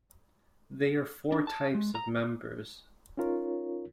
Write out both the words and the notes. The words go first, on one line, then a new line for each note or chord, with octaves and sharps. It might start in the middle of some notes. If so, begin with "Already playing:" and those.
They are four types of members.
D4
A5
G#3
A#5
C#4 D#4 F4 A#4 C#5